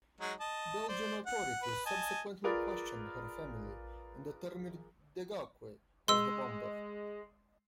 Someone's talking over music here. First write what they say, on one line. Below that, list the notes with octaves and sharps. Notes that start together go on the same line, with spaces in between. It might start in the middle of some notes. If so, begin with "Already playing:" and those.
Belgian authorities subsequently questioned her family and determined Degauque as the bomber.
F#3 G#3 D#4
D#5 A5
C5 D5
F#5
B4
D#5 G#5 A5
F4 G#4 A#4 B4 D5
G#3 C6 E6